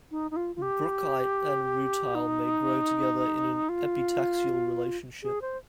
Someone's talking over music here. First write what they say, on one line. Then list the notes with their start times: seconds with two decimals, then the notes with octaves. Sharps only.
Brookite and rutile may grow together in an epitaxial relationship.
0.11 D#4
0.31 D#4
0.36 F4
0.56 F4
0.62 G4
2.15 D#4
3.69 F4
5.23 G#4
5.42 C5